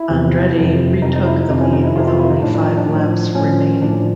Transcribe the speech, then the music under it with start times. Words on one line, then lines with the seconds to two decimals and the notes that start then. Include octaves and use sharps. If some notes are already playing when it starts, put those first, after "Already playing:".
Andretti re-took the lead with only five laps remaining.
Already playing: E4
0.10 E2 C3 F3
0.56 F2 C3 F3
1.02 F2 C3 F3 D#4
1.16 D#4
1.26 E4
1.49 F2 C3 F3 D#4
1.61 C#4
1.73 D#4
1.84 E4
1.96 F2 C3 F3 F4
2.07 F4
2.19 E4
2.30 D#4
2.42 A2 D4
2.46 F3
2.54 D4
2.66 D#4
2.77 D4
2.89 A2 F3
3.35 A2 F3 C#4
3.81 A2 F3 D4